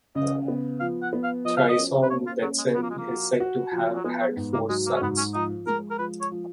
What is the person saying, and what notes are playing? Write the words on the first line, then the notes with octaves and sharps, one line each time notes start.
Trisong Detsen is said to have had four sons.
C#3 D#5
B3
F3 F5
F#5
B3
F5
F3 D#5
F5
D#5
C#4
B4
A#3 C#5
F4
F#3 C#4
G#3
F3 B3
A#3
G#3
A#3
F#4
F#4
F3
F#3
G#3 B3
F#3
G#2
A#3
F#3 G#3
A#3
C#4
G#2 B3
C#4
F3 D#4
G#3 A#4
A#4
F3 B4
C#5
F3